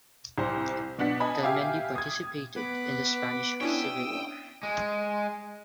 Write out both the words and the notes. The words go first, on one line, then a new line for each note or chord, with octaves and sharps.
Kelmendi participated in the Spanish Civil War.
C2 C5
B2 D4 F#5 B6
D#5 G#5 A5 B5
G4 E5 F5 G#5 D6
D#6 G#6
B3 F#5 B5 D6
C#4 D4 E4 G5 D#6 E6
G#3